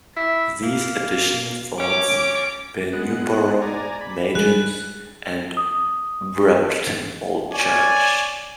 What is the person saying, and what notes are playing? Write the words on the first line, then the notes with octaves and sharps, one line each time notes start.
These additional forts were Newbrough, Magnis and Brampton Old Church.
E4
A#3
C#4 D6
G#3 B3 F#5
D5 G#5 A#5
B5
G3 G#3 G#4 F#6
D#6
C#5 D5 G#5